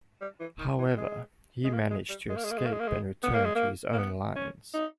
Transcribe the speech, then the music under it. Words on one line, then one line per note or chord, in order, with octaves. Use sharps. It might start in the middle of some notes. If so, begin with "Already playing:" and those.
However he managed to escape and return to his own lines.
G3
E3
D#3
E3
G#3
G#3
A#3
G#3
G3
G#3
A#3
G#3
A#3
G#3
A#3
G#3
A#3
G#3
B3
A#3
G#3
A#3
A#3
B3
C#4
D#4